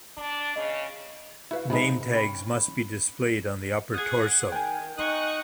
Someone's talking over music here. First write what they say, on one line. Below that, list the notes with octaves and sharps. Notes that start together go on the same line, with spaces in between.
Name tags must be displayed on the upper torso.
D4
C#3 D#5
E4 F#4 B4 F5
C3 G#3 D#4 B5
C#4 G5 B5
G#4 F#5 D#6 G#6
D#3 G5 G#5
D#4 F#5 C#6 D#6 F#6